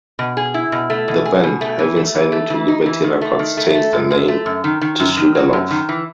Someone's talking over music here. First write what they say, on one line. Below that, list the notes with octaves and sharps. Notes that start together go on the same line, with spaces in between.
The band, having signing to Liberty Records, changed the name to Sugarloaf.
B2
G#4
E4
B2
A3
B2
G#4
B2
A3
E3
A3
E3
A3
E3
D#4
E3
D#3
A3
D#3
A3
A3
F#2
F#2
A3
F#2
D#3
D#3
F#2
D#3
F#3
F#2
D#3
E3